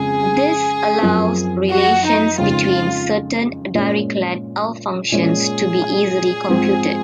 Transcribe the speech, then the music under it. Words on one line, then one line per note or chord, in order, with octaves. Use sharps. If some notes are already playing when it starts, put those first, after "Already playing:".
This allows relations between certain Dirichlet L-functions to be easily computed.
Already playing: F2 C#3 G#3 C4 G#4
F#2 F3 C4
F#4
D#4
F2 C#3 G#3 D#4 F4
A#2 G#3 C#4
A#2 G#3 C#4 G#4
G#2 F3 C4